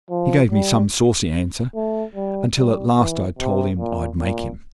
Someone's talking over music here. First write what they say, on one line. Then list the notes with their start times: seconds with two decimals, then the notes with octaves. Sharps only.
He gave me some saucy answer, until at last I told him I'd make him.
0.10 F3
0.51 G3
1.75 A3
2.15 G3
2.56 G3
2.98 E3
3.39 C3
3.79 A#2
4.20 A#2